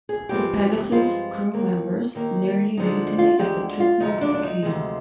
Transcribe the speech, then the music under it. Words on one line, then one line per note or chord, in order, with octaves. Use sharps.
The "Pegasus" crew members nearly mutiny at the treatment of Cain.
G#4
G2 F3 G#3 C4 G4
G2 F3 G#3 C4 F4
D#2 D#3 A#3
D#2 D#3 A#3
D2 D3 F3 G#3 D#4
F4
D2 D3 F3 G#3 G4
F4
D2 C3 F3 G#3 D#4
D4
D4
D#4
D2 C3 F3 G#3